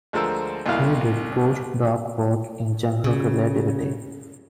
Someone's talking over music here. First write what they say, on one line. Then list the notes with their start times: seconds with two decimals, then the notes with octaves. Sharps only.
He did post-doc work in general relativity.
0.13 D2 F3 G#3 A4 A#4 E6
0.66 C2 F2 B2 E4 F5
3.04 C#3